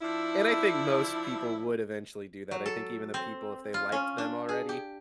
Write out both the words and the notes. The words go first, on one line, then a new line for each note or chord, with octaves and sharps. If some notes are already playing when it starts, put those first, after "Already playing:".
And I think most people would eventually do that. I think even the people, if they liked them already,
F3 D4 E4
F#3
A4
C4
F4
C#4
D4
G#4
G4